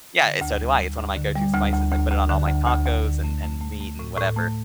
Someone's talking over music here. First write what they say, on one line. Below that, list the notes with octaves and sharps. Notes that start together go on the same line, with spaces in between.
Yeah, and so do I. It's one of my go to spices. I put it on all my tacos, and and meat, and whatever.
D3
D2
G3
D2
D2
D3
G3
D2
D2
D2
D2
D3
D2
D2
D2
D3
A3
A3
A3
A3
A2
A2
A3